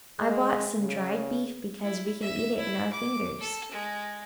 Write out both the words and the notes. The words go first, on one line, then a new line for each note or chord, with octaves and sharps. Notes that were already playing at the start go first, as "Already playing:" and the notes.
I bought some dried beef because we can eat it in our fingers.
G#3
C#3
E4
E5
E4
D6
A4
G#3